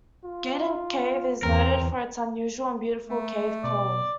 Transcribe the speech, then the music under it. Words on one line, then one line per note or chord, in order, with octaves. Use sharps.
Gaden Cave is noted for its unusual and beautiful cave coral.
F4
E2 C4 A#4
A3
B2 D5